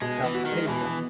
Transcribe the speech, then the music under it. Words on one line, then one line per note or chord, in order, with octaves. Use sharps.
how to take them.
B2 G#3
B3
E3
F#4
D#3
G#3
B2 E3
B3